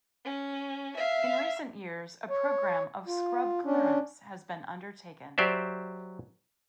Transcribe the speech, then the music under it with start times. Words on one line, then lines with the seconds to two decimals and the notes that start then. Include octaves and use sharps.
In recent years a programme of scrub clearance has been undertaken.
0.25 C#4
0.96 E5 F5
2.30 C#5
3.07 F4
3.65 C#4 D4
5.38 F#3 G4 C5 D5 E5